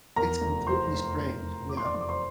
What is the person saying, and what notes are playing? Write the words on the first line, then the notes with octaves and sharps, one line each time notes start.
it's completely strange, yeah.
E2 A#4 A#5
F1
E3 C5 C6
F1
E2
F1
E3 D6
C6
D5 D6
F1 C6
D6
C5 C6